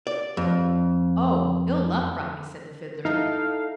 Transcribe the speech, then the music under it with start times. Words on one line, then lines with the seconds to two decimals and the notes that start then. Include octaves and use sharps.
"Oh, Ill-Luck brought me," said the Fiddler.
0.07 D5
0.37 F2
3.05 D#4 E4 A4 F5